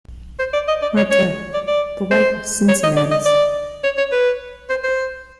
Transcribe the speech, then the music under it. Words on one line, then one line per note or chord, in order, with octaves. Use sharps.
Marthe- The wife of Cincinnatus.
C5
D5
D#5
D5
C#5
C#5
D5
D5
C5
C#5
D#5
D5
D#5
D5
C#5
C#5
B4
C5
C5